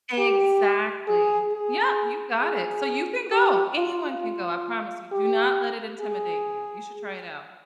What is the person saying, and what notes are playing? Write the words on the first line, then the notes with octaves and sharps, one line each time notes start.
Exactly! Yep, you got it, so you can go. Anyone can go, I promise you, do not let it intimidate you, you should try it out.
G4
G#4
G#4
G#4
G4
F4
F4
G4
G#4